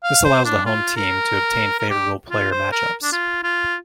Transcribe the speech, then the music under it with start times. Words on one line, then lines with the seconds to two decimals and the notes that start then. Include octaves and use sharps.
This allows the home team to obtain favorable player matchups.
0.04 F5
0.25 C5
0.45 D4
0.66 F4
0.96 A#4
1.79 A#4
1.90 G4
2.31 F4
2.51 C5
2.72 A#4
3.03 D4
3.12 F4
3.43 F4